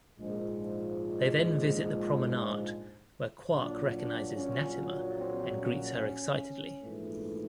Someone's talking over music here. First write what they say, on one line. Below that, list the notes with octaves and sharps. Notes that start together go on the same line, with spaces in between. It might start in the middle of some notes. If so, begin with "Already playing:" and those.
They then visit the Promenade, where Quark recognizes Natima and greets her excitedly.
A#1 G#2 F3 G#3
A#1 A#2 F#3 D4
D4
C#4
C4
C#4
A#1 G#2 E3 A3